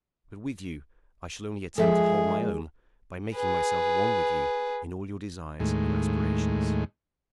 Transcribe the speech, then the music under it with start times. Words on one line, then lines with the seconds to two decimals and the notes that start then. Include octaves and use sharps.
But with you I shall only attempt to hold my own by making myself one with you in all your desires and aspirations.
1.78 F3 G#3 G#4 A4 E5
3.33 G#4 B4
5.60 D#2 A2 G#3